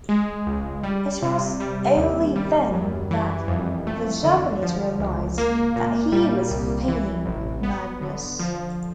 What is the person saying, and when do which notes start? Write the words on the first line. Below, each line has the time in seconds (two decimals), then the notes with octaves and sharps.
It was only then that the Japanese realized that he was feigning madness.
0.09 G#3
0.46 C#2
0.83 G3
1.22 C3
1.60 G3
1.97 D#2
2.36 G3
2.73 F#2
3.11 E3
3.48 F2
3.87 A3
4.24 D3
4.62 F3
4.99 C#2
5.38 A#3
5.76 A#2
6.12 G3
6.51 C2
6.88 E3
7.25 A1
7.63 B3
8.01 D3
8.39 F3